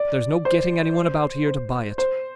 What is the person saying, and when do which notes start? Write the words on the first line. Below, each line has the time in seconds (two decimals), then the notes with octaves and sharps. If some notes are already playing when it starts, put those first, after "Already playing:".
There's no getting any one about here to buy it.
Already playing: D5
0.45 C5
1.47 C5
1.98 C5